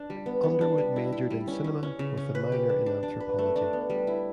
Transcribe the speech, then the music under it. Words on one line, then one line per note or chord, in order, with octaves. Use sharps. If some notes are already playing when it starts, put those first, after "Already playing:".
Underwood majored in cinema with a minor in anthropology.
Already playing: D4
G3
B3
B3
D4
G3
E4
E4
G3
C#4
C#4
C#4
C#3
C#4
B4
G4
D4
D4
D4
B4
A3
D4
B3
G3
E4